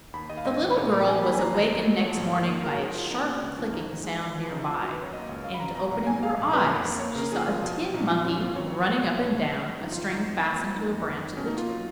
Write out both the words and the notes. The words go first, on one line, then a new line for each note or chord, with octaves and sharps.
The little girl was awakened next morning by a sharp clicking sound near by, and opening her eyes she saw a tin monkey running up and down a string fastened to a branch of the tree.
D#2 B5
D#2 D#5
F5
G#2 D#5
D#3
A#2 C#5
A#1 A#4
A#3 G#5
D#3 B5
G#5
D#2 A#5
D#2
F#3
F#3
F3 C#5
G#1
A#3
D#3
G#2 A#4
F#4
G#2 G#4
F3 F4
A#3 D#4
B2 C#4
C#2
F3 C#4
G#2 D#4
B1 D#4
G#3
F3
F3
C#3 D#4
C#2 F4
D#3 F#4
B4
F#2 C#5
A#3 D#5
C#2
F#2 F5
B5
F#2 A#5
B2 A#5
B1 A#5
G#2 G#5
G#3 F5
A#1
A#2 B4
F2
A#3
A#3 C#5
C#3 A#4
F3 G#4
F3 F4
B2
F#3
A#1 D#4
A#1 F4
F#2 C#4
G#1 F4
F#3 C#5
F#3
B1
B1
A#1 C#5
A#1
G#3
F#2
G#1 D#4
F4
D#3
F4
F2 D#4
F2
A#3
F3
A#3 D#4
F2
D#3
D#3
B2 C#4
D#4
A#3
F4
F#3